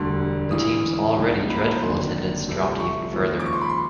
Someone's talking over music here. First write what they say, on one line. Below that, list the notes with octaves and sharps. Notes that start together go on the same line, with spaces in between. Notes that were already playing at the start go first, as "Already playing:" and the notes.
The team's already dreadful attendance dropped even further.
Already playing: E1 D2 D3 G3 C6
D2 C#3 E3 G#3 D#6
C#2 C#3 F3 A#3 D#4
B5
A#5
A5
B5
F1 D#2 D3 C6
C2 C3 F3 A3
C#6
D#2 C#3 F3 G#3
D6
C#6
C6
B5
C6